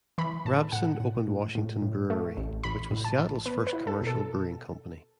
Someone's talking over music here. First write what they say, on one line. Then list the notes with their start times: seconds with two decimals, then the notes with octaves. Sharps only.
Rabbeson opened Washington Brewery, which was Seattle's first commercial brewing company.
0.18 E3 B5
0.45 A2 A5
0.72 A2 F#5
1.00 A2
1.28 A2
1.55 A2
1.82 A2
2.10 A3
2.37 A1
2.63 A1 B5
2.91 A2
3.04 A5
3.19 A1
3.46 B3 B4
3.67 B4
3.73 E4
3.87 A4
4.01 B2
4.07 A4